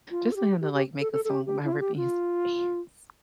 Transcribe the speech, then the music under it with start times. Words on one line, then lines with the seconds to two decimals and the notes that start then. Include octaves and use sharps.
just for him to, like, make a song about ripping his pants,
0.11 F4
0.32 A4
0.36 G4
0.61 G4
0.74 G4
1.00 A4
1.12 A4
1.25 A4
1.30 G4
1.46 G4
1.64 E4
1.72 F4
1.80 G4
1.97 F4